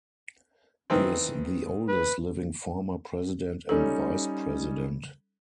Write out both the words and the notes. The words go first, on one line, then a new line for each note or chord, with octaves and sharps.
He is the oldest living former President and Vice President.
D#3 E3 C4
B4
G3 C#4 D#4 A4